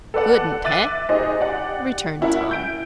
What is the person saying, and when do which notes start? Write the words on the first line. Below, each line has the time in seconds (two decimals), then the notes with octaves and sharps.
"Couldn't, heh?" returned Tom.
0.14 A4 B4 D5 F#5
0.64 E5 D6 F#6 A6 D#7
1.09 D#4 G4 G#4 C5 D#5
1.40 G4 D5 F#5
2.21 C#4 E4 A#4 E5 F#5
2.51 G6 D7